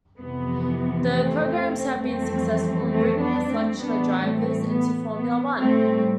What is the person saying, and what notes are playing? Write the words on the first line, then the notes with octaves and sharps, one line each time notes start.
The programs have been successful in bringing a selection of drivers into Formula One.
F2 C3 E3 B3
A3 C4
F2 E3 G3 A3 C4
A3 C4
B3 D4
A3 C4
A2 E3 G3 B3 D4
A3 C4
B3
B3
A2 G3 A3 C4